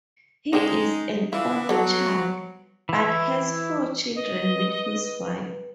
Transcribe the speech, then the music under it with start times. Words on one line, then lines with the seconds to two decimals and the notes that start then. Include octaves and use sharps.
He is an only child, but has four children with his wife.
0.53 C#3 G#3 D4 D#4 G5
1.33 E3 D4 E4 F4
1.69 F#3 G3 B3 A4
2.89 E3 E4
4.16 B4 D#5